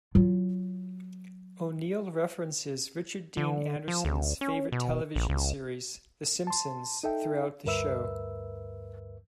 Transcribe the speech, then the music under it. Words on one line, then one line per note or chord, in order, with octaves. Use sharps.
O'Neill references Richard Dean Anderson's favorite television series, "The Simpsons", throughout the show.
F#3 F4
D3
F3
D2
C#4
B2
A#1
C#2
A5 C6
D#4 A4 E5 G5
D2 G2 A#4 B4 E5 E6